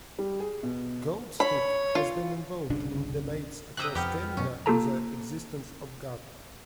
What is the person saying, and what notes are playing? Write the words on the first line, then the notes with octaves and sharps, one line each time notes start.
Goldstick has been involved in debates across Canada on the existence of God.
G3
G#4
B2
C#5 B5
F4
G1 C2 C#3 D4
C3 G4 A#5 D#6 E6 F#6
F2 B3 G4 G5 F6
F#2 B2 C#4
A#3 F4 G4 A4 A5 A#5